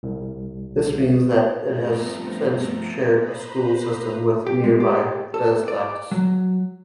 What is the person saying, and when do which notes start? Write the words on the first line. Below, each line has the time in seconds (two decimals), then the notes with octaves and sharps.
This means that it has since shared a school system with nearby Des Lacs.
0.03 C2
1.62 G2 F3 A3 B3 C4 A#5
3.17 B4 C5 A#5 B5
4.47 G4
4.64 G#3
4.80 G4
5.34 A4
5.68 D5
6.11 F#3